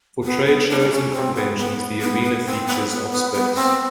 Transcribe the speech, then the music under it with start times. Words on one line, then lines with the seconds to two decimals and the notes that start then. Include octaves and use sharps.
For trade shows and conventions the arena features of space.
0.24 B3
0.46 B3
0.69 D4
0.80 D4
0.91 C#4
1.12 C4
1.35 B3
1.57 B3
2.01 B3
2.23 B3
2.45 C4
2.67 B3
2.89 B3
3.11 B3
3.33 B3
3.55 C4